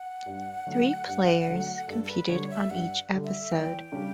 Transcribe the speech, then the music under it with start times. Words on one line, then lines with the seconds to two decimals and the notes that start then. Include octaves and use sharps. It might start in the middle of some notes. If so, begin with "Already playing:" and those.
Three players competed on each episode.
Already playing: F#5
0.26 G2
0.67 D3 F#3 A3
1.07 G2
1.48 D3 F#3 A3
1.88 G2 A4
2.03 A4
2.09 B4
2.29 D3 G3 C#5
2.50 E5
2.70 G2 F#5
3.11 D3 G3
3.24 E5
3.51 E2 G5
3.92 C#3 G3 D4